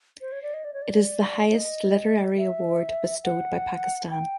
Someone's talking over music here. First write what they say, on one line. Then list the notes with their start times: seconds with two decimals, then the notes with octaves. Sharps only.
It is the highest literary award bestowed by Pakistan.
0.21 C5
0.32 C#5
0.42 D5
0.54 D#5
0.64 D5
0.74 C#5
0.82 D5
1.51 D#5
2.37 E5
3.24 F#5
4.10 G5